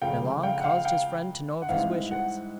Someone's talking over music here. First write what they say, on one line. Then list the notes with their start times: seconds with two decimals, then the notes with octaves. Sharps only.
Milon caused his friend to know of his wishes.
0.02 C#2 C#3 F3 A3 F5 G5
0.43 F5 G5
0.60 F#5
0.64 F5 G5
0.85 F5 G5
1.62 F#5
1.69 G#2 E3 G3 C4 E4 F5
2.11 F#5